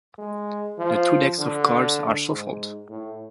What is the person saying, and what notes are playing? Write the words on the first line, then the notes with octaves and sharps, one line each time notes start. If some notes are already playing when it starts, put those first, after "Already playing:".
The two decks of cards are shuffled.
G#3
F3
D3
G#2
A2